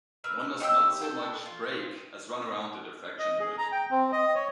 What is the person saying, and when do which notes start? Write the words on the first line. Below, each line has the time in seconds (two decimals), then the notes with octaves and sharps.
One does not so much "break" as "run around" the diffraction limit.
0.24 A#4 B4 E6
0.60 D#4 G4 B5 E6
1.01 A4 G5
1.46 F4
3.19 D#5
3.40 G#4
3.58 A#5
3.72 G5
3.91 C4
4.12 D#5
4.35 C#5